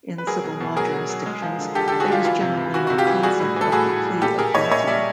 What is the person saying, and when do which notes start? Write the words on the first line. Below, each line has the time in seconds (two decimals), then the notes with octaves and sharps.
In civil law jurisdictions, there is generally no concept of a plea of guilty.
0.18 B4
0.27 F#3 G#4 A#4
0.44 B2
0.60 B2
0.76 F#3 G#4 A#4
0.93 F#3
1.10 F#3
1.26 G#3
1.42 F3
1.58 D3
1.75 D3 G4 A4
1.88 G4 A4
1.92 D3
2.00 F#4 G#4
2.08 G#3 F4 G4
2.25 E3 F4
2.41 C3
2.57 C3
2.74 E3 F#4
2.87 C3 F#4
2.98 F4 G4
3.07 E3
3.23 G3 F#4 G#4
3.40 A2
3.56 E3 A4
3.72 A2 F#4 G#4
3.89 A2
4.05 G3
4.22 A#2 G4 A4
4.38 A#2 G#4 A#4
4.54 A#2 C#5 D#5
4.65 E5
4.71 A#2 C#5 D#5
4.87 G3 D5 E5